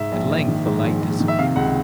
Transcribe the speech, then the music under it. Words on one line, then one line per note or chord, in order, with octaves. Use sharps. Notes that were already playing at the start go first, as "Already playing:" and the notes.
At length the light disappeared.
Already playing: G#2 E5
A#1
A#1
D#3
G#2
A#1
A#1
D#3
E5
C3 F5
C#2 F#5